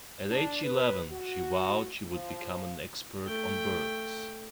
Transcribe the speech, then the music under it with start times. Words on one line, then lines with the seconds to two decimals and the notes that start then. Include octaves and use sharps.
At age eleven, she vowed she would become an expert on birds.
0.31 D4
0.63 B4
1.10 F#4
2.10 F3
3.25 A3 G5